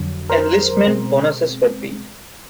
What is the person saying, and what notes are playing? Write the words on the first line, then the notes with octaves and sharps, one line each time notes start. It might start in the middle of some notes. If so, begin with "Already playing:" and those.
Enlistment bonuses were paid.
Already playing: F2 D3 F#3
A#4 C5
B2 G#3 C4